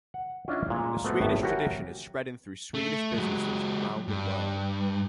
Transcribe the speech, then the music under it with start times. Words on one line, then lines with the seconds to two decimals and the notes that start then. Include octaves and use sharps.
The Swedish tradition is spreading through Swedish businesses around the world.
0.14 F#5
0.48 C#4 D4 E4 F4 D5 D#5
0.70 A#2 G#3
1.04 A3 B3 F#4 B4 C5
1.21 G#1 A2 B3
1.43 F#4 G4 A#4 C#5 E5 G#5
2.74 A3
3.14 F#3 G#3
4.08 G2